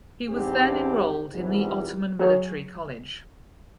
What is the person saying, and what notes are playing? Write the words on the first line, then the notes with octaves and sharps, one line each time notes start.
He was then enrolled in the Ottoman Military College.
E2 G#2 C4 D4 G4
A#1 E2 G#2 C3 G3
F#3 G#4 C#5